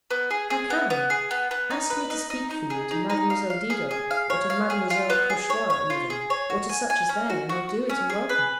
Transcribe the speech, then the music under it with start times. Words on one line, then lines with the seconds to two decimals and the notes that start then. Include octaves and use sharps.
How can I? Ask me to speak for you to Mademoiselle Didot, or to Mademoiselle Cauchois even, or to such as they, and I'll do it, and welcome.
0.10 B3
0.31 G#4
0.50 G#4
0.70 B3
0.90 B3
1.10 G#4
1.31 B3
1.51 B3
1.71 D#4
1.90 B4
2.10 D#4
2.30 D#4
2.50 D#4
2.70 G#4
2.91 D#4
3.10 D#4
3.30 F5
3.50 F5
3.70 G#4
3.91 G#4
4.11 F5
4.30 C#5
4.50 F5
4.70 G#4
4.90 F4
5.10 B3
5.30 G#4
5.50 C#5
5.70 C#5
5.90 F4
6.10 G#4
6.30 C#5
6.50 F#4
6.69 G#5
6.90 G#5
7.09 C#4
7.30 F#4
7.49 F#4
7.69 F#4
7.89 C#4
8.10 G#4
8.29 B4